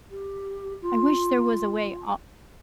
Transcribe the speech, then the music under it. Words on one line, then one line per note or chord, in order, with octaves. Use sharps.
I wish there was a way al
G4
F4